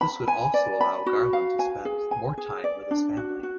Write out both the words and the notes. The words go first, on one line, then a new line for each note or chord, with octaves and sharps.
This would also allow Garland to spend more time with his family.
B5
G#5
D5
B5
F#4
F5
G#5
G#4
G#5
G#4
D5
D4
F#4
F#4